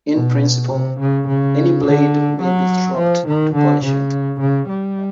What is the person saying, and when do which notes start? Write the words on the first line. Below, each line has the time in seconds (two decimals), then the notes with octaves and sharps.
In principle, any blade may be stropped to polish it.
0.14 B2
0.71 C3
1.00 C#3
1.28 C#3
1.85 D3
2.42 F#3
2.98 F3
3.27 D#3
3.55 D3
3.84 C#3
4.40 C#3
4.69 G3